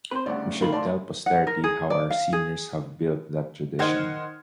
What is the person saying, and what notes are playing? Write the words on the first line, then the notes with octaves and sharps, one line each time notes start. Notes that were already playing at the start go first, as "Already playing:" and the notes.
We should tell posterity how our seniors have built that tradition.
C4 B4 C5
D2 G2 C#3 D5 F#5
D2 D#3 A#3 F5 B5
D5 A5 C6
F#5
A#4
G#4
D5
F5
G#4
D#3 C5 D#5 F#5 F6 G#6